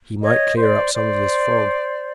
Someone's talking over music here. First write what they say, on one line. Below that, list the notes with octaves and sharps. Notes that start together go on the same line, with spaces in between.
He might clear up some of this fog.
C#5 D#5
C5 D5
C5 D5